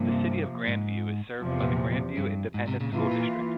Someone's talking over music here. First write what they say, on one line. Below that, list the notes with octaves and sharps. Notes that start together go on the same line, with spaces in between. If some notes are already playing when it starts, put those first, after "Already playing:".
The City of Grandview is served by the Grandview Independent School District.
Already playing: G2 C3 F3 A#3
G#2
E2 C3 F3
A#2
G2
G#2
G#2 C3
A#2 C#3
G#2 C3 E3 A#3 F4
A#2